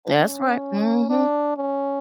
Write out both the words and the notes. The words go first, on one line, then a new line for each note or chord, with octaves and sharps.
That's right. Mhm.
C#4
D4
C#4